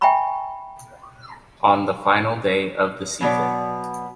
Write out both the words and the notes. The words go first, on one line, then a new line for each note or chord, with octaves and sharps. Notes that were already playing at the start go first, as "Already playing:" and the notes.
On the final day of the season.
E5 G5 G#5 A#5 B5 C#6
B2 F#3 B3 D5